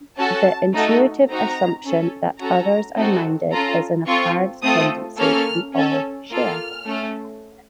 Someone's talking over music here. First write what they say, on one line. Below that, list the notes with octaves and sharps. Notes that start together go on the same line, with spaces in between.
The intuitive assumption that others are minded is an apparent tendency we all share.
C#4 F#4 A4 A5
A3 D#4 F#4 A4
C4 D#4 F#4 A#5
C#4 A4
C#4 F#4 A4 A#5
C4 D#4 F#4 A4
C#4 F4 A4 A#5
C4 F4 A4 C#6
A3 C4 F4 A4 D#6
A#3 C#4 A4 F6
C#4 A4
A#3 F4 A4 F6
A3 C#4 A4